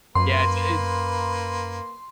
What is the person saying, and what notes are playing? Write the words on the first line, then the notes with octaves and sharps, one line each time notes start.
Yeah, it's it's
F#2 A#3 B4 C6